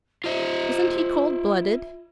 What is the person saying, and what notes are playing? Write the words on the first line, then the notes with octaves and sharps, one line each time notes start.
Isn't he cold-blooded?
F4 C5 D#5 E5